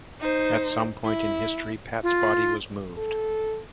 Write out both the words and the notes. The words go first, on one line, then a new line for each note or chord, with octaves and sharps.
At some point in history Pat's body was moved.
D#4 C5
E4
F4
A4